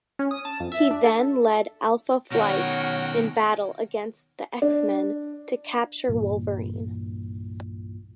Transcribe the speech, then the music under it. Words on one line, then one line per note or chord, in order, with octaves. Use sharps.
He then led Alpha Flight in battle against the X-Men to capture Wolverine.
C#4
D#6
A5
F2
E5
D4
A4
B2 D#3 F#4 A#4 C#5 F#5 G5
D4
C2 G2 A#2 E3